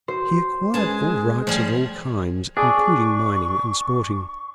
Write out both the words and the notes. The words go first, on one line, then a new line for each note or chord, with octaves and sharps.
He acquired all rights of all kinds, including mining and sporting.
F#4 C5
G#3 C#4 G#4 A#4 B4 A5
F3 G3 A3 G#4
D4 G#4 C#6